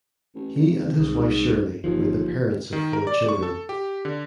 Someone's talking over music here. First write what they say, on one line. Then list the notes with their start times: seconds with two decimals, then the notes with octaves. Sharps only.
He and his wife Shirley were the parents of four children.
0.35 A1
0.58 G#1
0.99 C2 G#2
1.84 G1 D#2 E3 F3
2.73 D#3
2.93 A#4
3.07 D5
3.29 C#6
3.43 A4
3.69 G4
4.05 D3